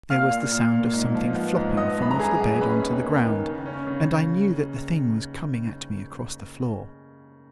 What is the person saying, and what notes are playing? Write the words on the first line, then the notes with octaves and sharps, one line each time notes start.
There was the sound of something flopping from off the bed on to the ground, and I knew that the thing was coming at me across the floor.
A#2 F5 F6
A#2
A#2
A#2
G#2
F3
B3
G#2
B3 D#5 D#6
F#2 B5
A#5
F#2 G#4 G#5
B3
C#4 B4 B5
D#2
A#3
D#3
C#3
C#4
C#3